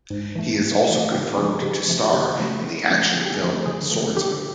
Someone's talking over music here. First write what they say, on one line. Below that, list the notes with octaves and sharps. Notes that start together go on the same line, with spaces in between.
He is also confirmed to star in the action film "Swordsman".
G#2
E3 A3
G#2
E3 A3
C#3 G4
F3 A3 C#4 G#4
G#4
C#3 G4
F3 A3 C#4
F#4
C#3 G4
F3 A3 C#4
C#3
F3 A3 C#4
D3 G#4
G4
G#4
F3 A3
D3 G#4
F3 A3
D3 G4